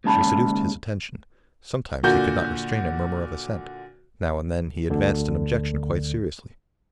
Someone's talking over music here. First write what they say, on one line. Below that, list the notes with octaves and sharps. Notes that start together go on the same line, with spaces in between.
She seduced his attention; sometimes he could not restrain a murmur of assent; now and then he advanced an objection quite seriously.
D#2 G#2 C#3 A5 B5
A#2 D3 F#4 G6
D2 D3